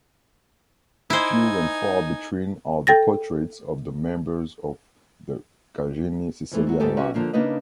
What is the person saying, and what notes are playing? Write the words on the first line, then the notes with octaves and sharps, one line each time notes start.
Few and far between are the portraits of the members of the Gagini’s Sicilian line.
D#4 E4 C5 G#5
A4 G5 A6 A#6
F2 E3 A3
F#3 F#4
G#2 B3 D#4 G4 A4 G#5
C#4 F#4 G4 B4
D3 F3 A#3 D4
C#3 A#3 D4 D#4 B4 D#5